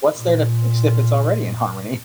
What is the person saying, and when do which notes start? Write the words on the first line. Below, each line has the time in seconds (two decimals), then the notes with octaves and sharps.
What's there to fix, if it's already in harmony?
0.15 A#2